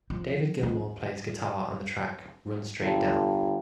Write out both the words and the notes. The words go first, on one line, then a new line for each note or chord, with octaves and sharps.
David Gilmour plays guitar on the track Run Straight Down.
F3
F2
G1 A4